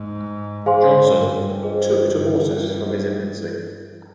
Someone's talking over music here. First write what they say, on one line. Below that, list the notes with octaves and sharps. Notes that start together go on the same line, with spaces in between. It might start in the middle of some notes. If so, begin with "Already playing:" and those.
Johnson "took to horses from his infancy".
Already playing: G#2
G#2 G#4 C5 F5 G#5 C6
G2
F4 G#4 C5 D#5
G2